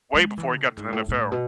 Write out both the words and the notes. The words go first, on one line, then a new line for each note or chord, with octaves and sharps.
way before he got to the NFL.
G#3
E3
A2
G#2
A2
A2
B2